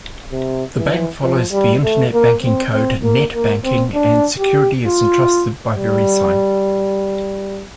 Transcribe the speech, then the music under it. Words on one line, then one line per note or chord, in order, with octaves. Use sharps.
The bank follows the internet banking code NetBanking and security is entrusted by Verisign.
C3
E3
F3
G3
A3
A#3
C4
C4
A#3
A#3
C4
D4
G4
F4
G3